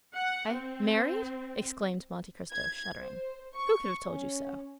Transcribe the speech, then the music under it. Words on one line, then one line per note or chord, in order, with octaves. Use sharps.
"I, married?" exclaimed Monte Cristo, shuddering; "who could have told you so?"
F#5
C4
G#6
C5
C#6
C#4